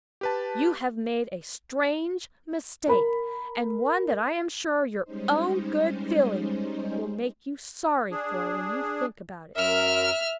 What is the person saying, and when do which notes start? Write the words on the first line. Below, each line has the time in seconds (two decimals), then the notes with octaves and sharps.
You have made a strange mistake, and one that I am sure your own good feeling will make you sorry for when you think about it.'
0.21 G4 B4 A5
2.88 A#4 B5
5.04 G3 G#3 C#4 D#4 C5
8.11 D4 G#4
9.56 F#2 A#4 E5 F6